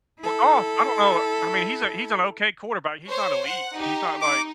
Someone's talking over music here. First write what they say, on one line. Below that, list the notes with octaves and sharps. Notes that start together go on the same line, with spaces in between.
Well, Goff I don't know. I mean, he's a he's an okay quarterback. He's not elite. He's not like,
E4 A4
C5 C#5
F#5
D#4 G4
D#4 D6